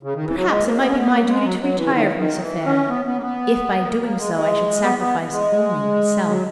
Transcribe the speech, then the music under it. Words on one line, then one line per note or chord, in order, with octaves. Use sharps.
Perhaps it might be my duty to retire from this affair, if by doing so I should sacrifice only myself.
C#3
D#3
E3
F#3
G#3
A#3
B3
C#4
B3
A#3
G#3
F#3
F#3
E3
C#3
D#3
D#3
F#3
E3
C#4
B3
B3
A#3
B3
A#3
A#3
G#3
G#3
B3
B3
G#3
F#3